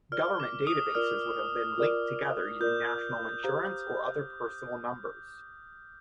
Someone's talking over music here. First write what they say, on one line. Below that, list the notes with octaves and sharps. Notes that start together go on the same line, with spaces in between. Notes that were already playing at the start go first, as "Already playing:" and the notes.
Government databases would have been linked together using National Insurance or other personal numbers.
F4 A#4 D5 F6
D6
D#6
F4 A#4 D5 F6
F4 A#4 D5
F4 A#4 D5 G6
G4 C5 F5 A#5